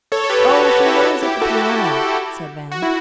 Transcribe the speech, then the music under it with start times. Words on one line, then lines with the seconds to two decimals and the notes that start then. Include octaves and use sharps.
"Oh, she's always at the piano," said Van.
0.12 A4 C#5
0.24 A4
0.30 G4 B4
0.49 F#4
0.67 F#4
0.86 E4 G4
0.96 B4
1.04 F#4 A4
1.23 E4 G4
1.42 F#4 A4
2.72 F#4
2.82 E4